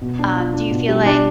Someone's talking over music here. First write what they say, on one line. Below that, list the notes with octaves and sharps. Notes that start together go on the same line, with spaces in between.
um Do you feel like
B2
D4
F4
D4
B2
G3
D4